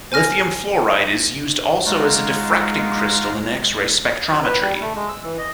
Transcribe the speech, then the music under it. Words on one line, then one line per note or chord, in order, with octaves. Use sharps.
Lithium fluoride is used also as a diffracting crystal in X-ray spectrometry.
C5 G#5 F6 A#6
G#3 D#4 F4 F#4
F#3
B4
G3
A3
G#3
E6
E3
D#5